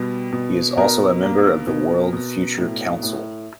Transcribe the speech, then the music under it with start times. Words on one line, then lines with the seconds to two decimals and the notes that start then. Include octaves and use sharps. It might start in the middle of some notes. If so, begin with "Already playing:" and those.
He is also a member of the World Future Council.
Already playing: B2 G3
0.32 B2
0.77 B2 A#4
1.23 A#3
1.67 B2
2.13 B2
2.58 A2
3.03 A2